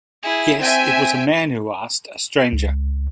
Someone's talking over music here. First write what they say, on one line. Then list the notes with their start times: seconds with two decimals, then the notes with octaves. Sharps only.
Yes, it was a man who asked, a stranger.
0.23 E4 G#4
0.60 C4 E5 G5 G#5
2.53 C#2